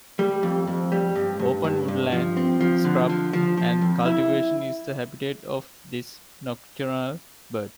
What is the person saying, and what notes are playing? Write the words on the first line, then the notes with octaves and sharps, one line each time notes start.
Open woodland, scrub, and cultivation is the habitat of this nocturnal bird.
G3
F2
F2
G3
G2
G2
G2
G2
F3
C4
F3
D3
F3
F3
F3
F2
E4